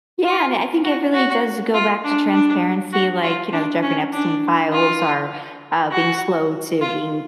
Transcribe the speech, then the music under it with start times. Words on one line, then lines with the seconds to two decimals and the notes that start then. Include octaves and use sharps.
Yeah, and I think it really does go back to transparency, like, you know, the Jeffrey Epstein files are, uh, being slow to being
0.24 F4
0.84 F#4
1.14 F#4
1.74 F4
2.04 D4
2.33 D4
2.93 F#4
3.23 F4
3.53 D4
3.83 C#4
4.13 D4
4.72 F4
5.91 F#4
6.81 F4